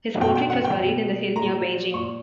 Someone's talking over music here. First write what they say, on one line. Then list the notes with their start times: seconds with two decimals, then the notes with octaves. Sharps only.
His portrait was buried in the hill near Beijing.
0.21 B2 G5
0.36 G5
0.50 F#5
0.64 G5
0.79 B2
1.36 A#2 A#5
1.94 A#2 C#6